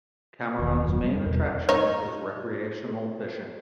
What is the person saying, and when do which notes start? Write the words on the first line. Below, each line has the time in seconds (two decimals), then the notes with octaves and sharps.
Cameron's main attraction is recreational fishing.
0.59 E1 D#2 D#3
0.86 E1 F#2 F#3
1.04 G3
1.26 E2 B2
1.69 D#4 C#5